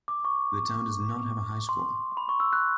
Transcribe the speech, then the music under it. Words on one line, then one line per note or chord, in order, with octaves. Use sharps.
The town does not have a high school.
D6
C#6
C6
B5
C#6
E6
F#6